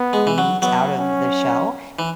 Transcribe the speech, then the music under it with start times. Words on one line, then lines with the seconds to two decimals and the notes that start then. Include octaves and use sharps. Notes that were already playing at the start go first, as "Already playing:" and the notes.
meat out of the shell,
Already playing: B3
0.13 G#3
0.27 E3
0.38 F#3
0.62 F#3 B3
0.98 C#4
1.99 E3